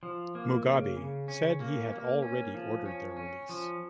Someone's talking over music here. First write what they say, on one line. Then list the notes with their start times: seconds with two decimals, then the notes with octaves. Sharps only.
Mugabe said he had already ordered their release.
0.03 F3
0.35 A#3
0.65 C#3
0.97 C#3
1.28 C#4
1.60 A#3
1.92 A#3
2.22 C#4
2.54 F3
2.86 C#4
3.17 C#4
3.49 F3